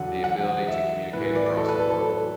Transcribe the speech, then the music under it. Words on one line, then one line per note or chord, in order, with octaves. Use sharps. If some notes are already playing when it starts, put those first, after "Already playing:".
The ability to communicate across the world,
Already playing: E2 D3 F#3 F#5
F#5
E5
A2 E3 B4
B4
D5
D5
A4
B4
A4
A4